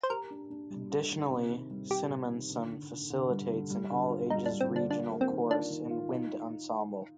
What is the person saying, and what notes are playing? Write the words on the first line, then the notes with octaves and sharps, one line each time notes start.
Additionally, Cinnaminson facilitates an all-ages regional chorus and wind ensemble.
C5
G4 A#4
D4
D4
G3
D4
D#3
C3
D#3
G3
C3 G4
C3
D#3
D3
D3
D3
D3
G3
D3
G3
D3
F4
G3 D#4
D4
G3
C4
D3
D4
D4 F4
A#3
C4
D#3
D4 F4
D#3
F4
D#4